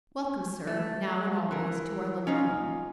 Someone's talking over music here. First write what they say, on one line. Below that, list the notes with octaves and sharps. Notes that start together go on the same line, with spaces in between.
Welcome, sir, now and always, to our little home.
A3
E3 A#4
C#4 D#4 F4